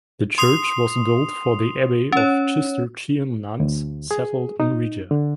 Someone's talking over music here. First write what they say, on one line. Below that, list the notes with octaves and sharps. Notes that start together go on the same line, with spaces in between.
The church was built for the abbey of Cistercian nuns settled in Riga.
C6 D#6 C7 F7
C#4 C#5
D2
G#4
D#4
D3